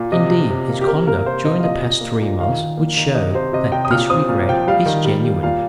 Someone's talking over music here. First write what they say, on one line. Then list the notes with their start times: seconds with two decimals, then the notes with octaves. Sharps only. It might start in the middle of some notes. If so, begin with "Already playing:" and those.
Indeed, his conduct during the past three months would show that this regret is genuine.
Already playing: A#2
0.12 C3 D#5
0.31 C3
0.50 C3
0.69 A#3
0.81 G4
0.87 C3 A#4
1.06 A#3 A#4
1.26 C3 C5
1.45 C3 D#5
1.60 F5
1.64 A#2 D#5
1.83 A#2
2.01 A#3
2.21 A#2
2.40 D#3 F5
2.59 D#3
2.78 A#3
2.97 D#3
3.15 C3 D#5
3.34 C3 C5
3.53 C3 D#5
3.72 C3 G5
3.85 D#6
3.91 A#2 F6
4.10 C4 D#6
4.29 A#2
4.49 F3 G5
4.68 G3 F5
4.86 D#3
5.05 G3
5.25 G3
5.43 A#2 F5